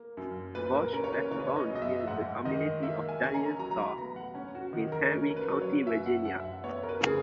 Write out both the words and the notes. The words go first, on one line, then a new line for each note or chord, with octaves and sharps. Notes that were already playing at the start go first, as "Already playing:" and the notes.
Burch was born near the community of Dyer's Store in Henry County, Virginia.
Already playing: A#3
F#2
A#2 B4
B4
A#4
C#4 A#4
C#5
B4
C#3 C#5
B4
C#5
D#5
F#2
D#5
E5
E5
G#2 F#5
D#3 D#5
A#3 E5
G#5
C#4 G#5
A#5
F#3 A#5
A#5
B5
B3 A#5
F#5
C#4
F#4
D#3
A#4
C#4 A#4
A#4
B4
F#3
C#5
F#2 E5
F#5
F#2 F#5
E5
F#5
B3 C#5
A#4
B4
C#3
G#4